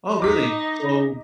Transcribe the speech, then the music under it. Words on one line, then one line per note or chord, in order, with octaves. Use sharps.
Oh, really? So
D#4 D#5 A#5 D6 B6